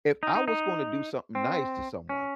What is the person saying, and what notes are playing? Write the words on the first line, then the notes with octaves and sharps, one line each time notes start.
if I was gonna do something nice to someone
D#4
D#4
D#4
C4
C#4